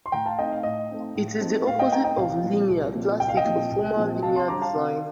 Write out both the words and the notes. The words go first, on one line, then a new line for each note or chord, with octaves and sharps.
It is the opposite of linear, plastic or formal linear design.
C6
A2 G5 A#5
F5 A5
A3 C4 D#4 D#5 G5
F5
A2 D#5
A3 C4 D#4
A2
A3 C4 D#4
A2 F5
D#5 G5
A3 C4 D#4 G5 A#5
D#5 G5
C2 F5
A#2 F3 C4
C2
A#2 F3 C4
C2 G5
F5
D#5 G5
A#2 F3 C4
C2
A#2 F3 C4
C3 F5 A5
A5 C6
G3 D4 A#5 D6
F5 A5
C3 F5